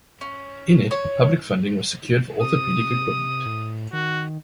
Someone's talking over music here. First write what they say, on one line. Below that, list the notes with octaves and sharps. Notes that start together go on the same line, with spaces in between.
In it, public funding was secured for orthopedic equipment.
C#4
C#5
C3 D#6
A2
D#3 F#4